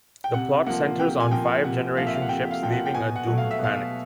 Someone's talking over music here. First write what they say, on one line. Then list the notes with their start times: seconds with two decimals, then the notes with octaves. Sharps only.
The plot centers on five generation ships leaving a doomed planet.
0.24 G5
0.34 C3 F#5
0.66 F3 A#3 F#5
0.99 C3 G5
1.20 G#5
1.31 F3 A#3 G5
1.64 C3 F#5
1.97 F3 A#3 F5
2.07 E5
2.14 F5
2.22 F#5
2.29 C3 G5
2.51 F5
2.62 F3 A#3 G5
2.72 F#5
2.86 G5
2.94 B2 G#5
3.16 F#5
3.27 F#3 A3
3.38 F5
3.51 E5
3.59 B2 F5